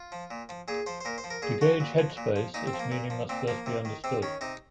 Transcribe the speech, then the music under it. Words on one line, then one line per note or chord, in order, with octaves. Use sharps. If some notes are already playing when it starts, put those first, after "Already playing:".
To gauge 'headspace' its meaning must first be understood.
Already playing: F4
F3
A#2
F3
A#2 G#4
F3 C5
C5
A#2 A#4
C5
F3
A#4
A#2 G#4
F3 F#4
A#2
F3
A#2
F3
A#2 D#4
C4
F3
A#3
A#2
F3
A#2 C4
F3 A#3
C3
D#3
C3 C4
D#3 C#4
C3 D#4